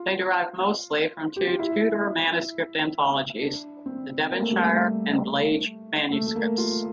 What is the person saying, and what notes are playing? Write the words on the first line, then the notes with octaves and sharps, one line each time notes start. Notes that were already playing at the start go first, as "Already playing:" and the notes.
They derive mostly from two Tudor manuscript anthologies, the Devonshire and Blage manuscripts.
Already playing: F4
G4
F4
E4
D4
C4
A#3
A3
G3
A3
A3
A3
A#3
F4